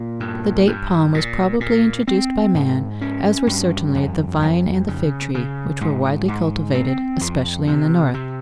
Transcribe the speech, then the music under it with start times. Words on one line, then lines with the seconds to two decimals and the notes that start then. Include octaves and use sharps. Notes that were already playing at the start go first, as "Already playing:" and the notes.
The date palm was probably introduced by man, as were certainly the vine and the fig tree, which were widely cultivated, especially in the north.
Already playing: A#2
0.20 G2
0.67 G2
1.14 A#2
1.60 A#2
2.08 C4
2.54 G#2
3.01 C#4
3.47 G2
3.95 F2
4.41 F2
4.88 C#3
5.35 C#3
5.81 G#2
6.28 G#2
6.75 C4
7.21 F2
7.67 C3
8.14 C3